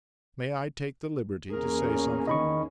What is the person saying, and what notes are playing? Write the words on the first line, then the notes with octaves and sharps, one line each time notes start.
'May I take the liberty to say something?'
E2 A#3 C#4 G#4 A#4
D#3 D#5 B5 C#6